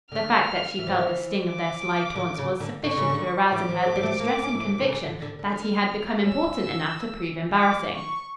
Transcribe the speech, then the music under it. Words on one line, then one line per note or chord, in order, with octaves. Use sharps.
The fact that she felt the sting of their sly taunts was sufficient to arouse in her the distressing conviction that he had become important enough to prove embarrassing.
D3 F6
E3
F3
E3
D6
D3
C#3
D3
D3 C#6
C#3
D3
E3 D6
F3
A3
G3
A3
A#3
C#4
E3
D3
D3
C#3
D3
D3
D3
F6
C#4 E6
D6
C#6